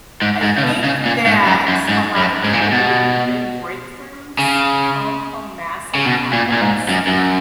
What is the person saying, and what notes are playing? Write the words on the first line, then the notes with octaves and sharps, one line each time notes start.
I think that a lotta people believe big breakthroughs come from massive efforts,
G#2
G#2
C#3
B2
C#3
A#2
G#2
F#2
F#2
G#2
F#2
G#2
A#2
G#2
B2
C#3
C#3
B2
A#2
A#2
G#2
F#2
F#2